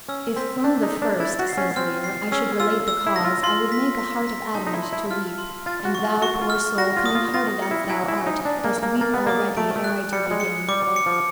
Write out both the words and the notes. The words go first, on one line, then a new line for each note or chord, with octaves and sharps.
"If from the first," says Leir, "I should relate the cause, I would make a heart of adamant to weep. And thou, poor soul, kind-hearted as thou art, Dost weep already, ere I do begin."
C#4 E6
C4 B6
D4 G6
D#4
B6
D4
E4 A6
F#4
C7
C#4
C4 F6
C7
C#4 E6
F4 E6
E6
E4
A#6
F4
F4 C6
B6
B6
B6
D#4 A5
D#4
E4
C6
E4
F4 F6
C6
F4 A6
F#4
C#6
F4
F#4 C#6
F4
F6
F#4 A#6
F4
D#6
F4
F4 A#6
C#7
E4
E4 G#5
E4
G#5
D#4
D4 G#5
A#3
F6
A#3
A#3 A6
B3
A#3 D#6
A3 D7
A3
F#6
G3 C#7
G#3
C#7
G3 D6
F#3
C#7
F3